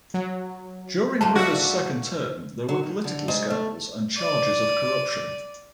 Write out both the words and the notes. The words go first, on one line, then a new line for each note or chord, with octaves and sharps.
During Rivers' second term, there were political scandals and charges of corruption.
F#3
G#2 A3 A#3 A5
F#4 D5 E5
F#3
D#3
D3
G#2
A3
D5 D#7